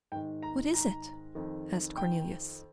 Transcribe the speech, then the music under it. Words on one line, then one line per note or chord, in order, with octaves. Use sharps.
"What is it?" asked Cornelius.
G#2 D#3 G5
A#5
A#5
F2 D#3
G5